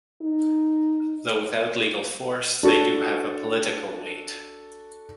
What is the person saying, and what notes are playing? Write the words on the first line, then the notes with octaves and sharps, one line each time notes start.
Though without legal force, they do have a political weight.
D#4
D4 F#4 A4